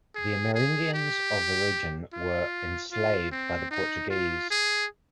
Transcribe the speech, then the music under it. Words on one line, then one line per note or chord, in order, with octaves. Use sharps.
The Amerindians of the region were enslaved by the Portuguese.
G#4
G#4
G4
F4
F4
C4
D#4
F4
G#4